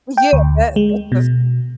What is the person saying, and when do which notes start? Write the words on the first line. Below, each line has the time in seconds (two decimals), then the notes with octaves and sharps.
Yeah, that that's just
0.17 G5
0.33 D2
0.76 G#3
1.12 B2